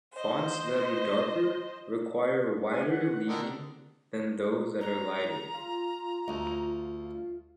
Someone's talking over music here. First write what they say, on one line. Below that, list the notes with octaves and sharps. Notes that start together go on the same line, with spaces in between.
Fonts that are darker require a wider leading than those that are lighter.
C5 D#5
G#5 F6
F#5
D3 D#3 D4
A#5
F4
D2